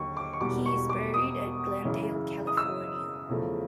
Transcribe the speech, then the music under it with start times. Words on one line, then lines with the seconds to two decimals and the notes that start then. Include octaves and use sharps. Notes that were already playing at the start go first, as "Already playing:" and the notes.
He is buried at Glendale, California.
Already playing: D#2 D3 F#3 C#6
0.17 D6
0.33 C#6
0.41 E1 E2 B2 G3 D6
0.66 C#6
0.90 D6
1.14 D#6
1.85 F#2 C#3 E3
2.47 D#6
2.57 E6
3.29 E2 C#3 F3 A3